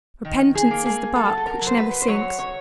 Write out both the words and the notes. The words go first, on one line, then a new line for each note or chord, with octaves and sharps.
Repentance is the bark which never sinks.
D#3
G#4
A#3
G#4
F#3 A4
A4
A#4
F#3
C5
B4
C5
F#3 C#5
C#5